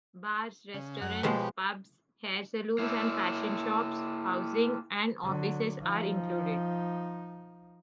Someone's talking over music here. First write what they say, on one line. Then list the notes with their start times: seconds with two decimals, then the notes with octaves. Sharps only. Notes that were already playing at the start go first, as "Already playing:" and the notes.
Bars, restaurants, pubs, hair salons and fashion shops, housing and offices are included.
0.74 C#3
1.01 F#2 F#5
1.23 B2 F3 G#3 B3 G4 C#5
2.79 A#3 E4
5.23 D3 F#3
5.81 F3 D#4